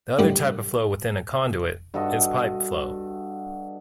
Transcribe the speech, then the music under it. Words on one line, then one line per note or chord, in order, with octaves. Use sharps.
The other type of flow within a conduit is pipe flow.
A2 D3 G3
G2 F#4 A4 D#5